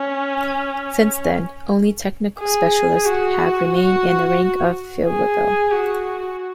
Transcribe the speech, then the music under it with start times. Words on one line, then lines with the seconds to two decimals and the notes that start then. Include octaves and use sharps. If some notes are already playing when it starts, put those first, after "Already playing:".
Since then, only technical specialists have remained in the rank of "Feldweibel".
Already playing: C#4
2.39 G#4
3.06 F#4
3.73 F#4
5.06 G#4
5.72 F#4